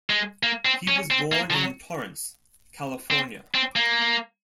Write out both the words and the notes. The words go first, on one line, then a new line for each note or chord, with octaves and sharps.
He was born in Torrance, California.
G#3
A#3
C4
C#4
C4
A#3
F3
F#3
C4
C4
A#3